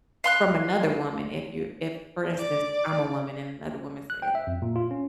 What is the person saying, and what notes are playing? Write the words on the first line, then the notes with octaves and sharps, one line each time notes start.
from another woman if you if, for instance, I'm a woman and another woman says,
F5 C6 F#6
D5
F#6
G5
E5
F2
A#2
F4
C#4